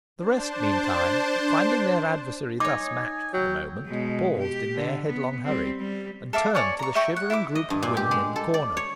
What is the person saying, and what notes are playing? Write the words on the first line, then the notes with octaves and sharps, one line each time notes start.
The rest meantime, finding their adversary thus matched for the moment, paused in their headlong hurry, and turned to the shivering group of women in the corner.
D4 C5 A5
D#4 C#5 G#5 D6
F#3 G5
B2 G#3
G4
D3
B3
G3 C4
G3
A4 E5 F5 D6
C#5 D5 G#5 C#6
A#5 C#6
E5 G5 C#6
F#5
E4 E5 F5 D6
D#5
G2
A#2
G4
G#3
A4
D5
C#5